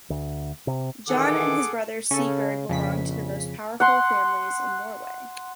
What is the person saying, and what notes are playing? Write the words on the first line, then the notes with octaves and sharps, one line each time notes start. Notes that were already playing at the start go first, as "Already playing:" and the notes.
Jon and his brother Sigurd belonged to the most powerful families in Norway.
D2
C3
D#3 E3 G#4 A4 F#5 D6
C#3 C#4 A4
A#1 F2 C#3 B6
F#5 C6